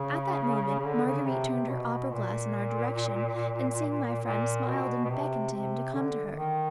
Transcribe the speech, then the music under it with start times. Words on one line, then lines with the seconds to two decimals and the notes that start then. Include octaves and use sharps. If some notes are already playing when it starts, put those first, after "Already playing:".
At that moment Marguerite turned her opera-glass in our direction and, seeing my friend, smiled and beckoned to him to come to her.
Already playing: C#3
0.79 C#3
0.85 D3
1.06 C#3
1.27 C3
1.48 C3
1.70 B2
2.12 A#2
4.24 A#2
4.67 B2
5.05 B2
5.09 C3
5.52 C3
5.94 D3
6.36 D#3